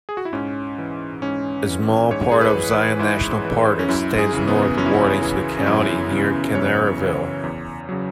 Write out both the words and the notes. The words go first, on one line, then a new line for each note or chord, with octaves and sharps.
A small part of Zion National Park extends northward into the county, near Kanarraville.
G#4
F#4
E4
G#2 C#4
E3
G#2 C#4
E3
G#2 C#5
G#4
B4
E3
B4
G#2 E4
E3
C#4
F#2 E4
G#4
C#3 E3
B3
F#2 C#4
E4
C#4
C#3 E3
C#4
F#2 E4
C#3 E3
F#2 C#5
C#3 E3
E2
C#3 F#3